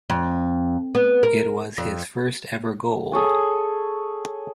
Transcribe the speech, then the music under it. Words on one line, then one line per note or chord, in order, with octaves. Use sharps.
It was his first ever goal.
F2
B3
A#4
F2
G#4 A4 C#5 G#5